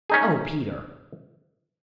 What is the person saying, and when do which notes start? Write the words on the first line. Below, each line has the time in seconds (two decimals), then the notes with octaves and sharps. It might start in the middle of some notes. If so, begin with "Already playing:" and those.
"Oh, Peter!"
0.10 C#4 D#4 G#4